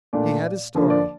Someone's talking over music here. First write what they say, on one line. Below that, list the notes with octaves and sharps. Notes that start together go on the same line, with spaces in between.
He had his story.
A#2 A3 D4 D5
D3 F3 A#3 D4
D5